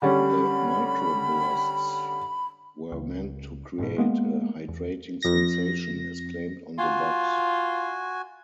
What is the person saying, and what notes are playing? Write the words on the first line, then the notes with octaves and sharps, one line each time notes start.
The "micro-bursts" were meant to create "a hydrating sensation", as claimed on the box.
D3 G3 C#4 B5
C#2
F#1 G#2 B2
G#3 A#3 B3
E2
F2 A#6
F4 F#4 G#5